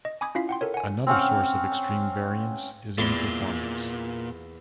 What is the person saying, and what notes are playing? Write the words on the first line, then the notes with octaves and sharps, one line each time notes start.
Another source of extreme variance is in performance.
D#5
G#5 B5 D6 D#6 G#6
C#4 E4 F4 F5 B6 C7
F#5 G5 C6
A4 A#4 C#5
F#5 G#5
C4 C#4 F5 F#5
E2 A#2 C6